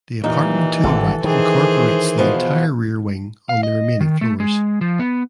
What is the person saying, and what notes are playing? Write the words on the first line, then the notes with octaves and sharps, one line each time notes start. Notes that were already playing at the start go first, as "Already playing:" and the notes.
The apartment to the right incorporates the entire rear wing on the remaining floors.
D#2 A#2 E3 D#4
G#1 B2 D3 A4
D#3 E3 G#4 C5
B2 F3 B3
F5
D#5
D#3
A3
G#3
F3
B3